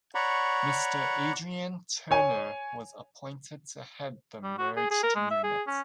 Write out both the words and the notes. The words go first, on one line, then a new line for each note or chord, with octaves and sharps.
Mr Adrian Turner was appointed to head the merged unit.
C#5 D5 F#5 A#5 B5 C#6
C#5 G#5
G3
F#4
G#4
G#4
A#4
G#3
E5
G#4
C#4